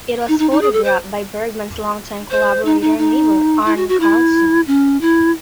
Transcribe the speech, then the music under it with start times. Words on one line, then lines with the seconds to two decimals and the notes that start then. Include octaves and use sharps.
It was photographed by Bergman's longtime collaborator and neighbour, Arne Carlsson.
0.28 D#4
0.39 D#4
0.51 D#4
0.61 G#4
0.73 A4
0.84 C5
2.31 C5
2.65 D#4
2.81 D#4
2.98 D#4
3.65 E4
3.77 F#4
3.89 F#4
4.00 E4
4.67 C#4
5.01 E4